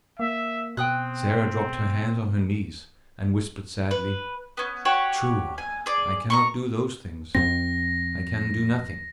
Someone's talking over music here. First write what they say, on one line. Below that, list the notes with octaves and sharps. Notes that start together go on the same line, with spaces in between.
Sarah dropped her hands on her knees, and whispered sadly, "True, I cannot do those things--I can do nothing."
A#3 E5
B2 C4 G5 D#6 F#6
B4
B3 C#4
F#4 G4 C#5 F#5
G#5
G#4 D5
A#5 C6 C#6
F2 C4 A#6